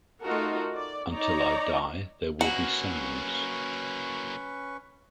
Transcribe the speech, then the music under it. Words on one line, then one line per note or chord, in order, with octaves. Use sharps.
Until I die there will be sounds.
A3 D#4 F4 F#4 A4 A#4
D5
D#4 C#5 D5 A#5
F#3 A#3 C#4 F#4 B4 C#6